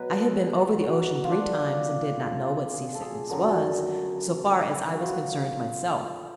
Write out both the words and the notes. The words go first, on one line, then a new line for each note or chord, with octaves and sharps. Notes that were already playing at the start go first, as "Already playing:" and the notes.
I had been over the ocean three times and did not know what seasickness was, so far as I was concerned myself.
Already playing: B2 F#3 B4
G#4
A4
A4
G#4
F#4
F4
D4
F4
G#4
A4
G#4
F#2 D3 F#3 A4
F#4
F4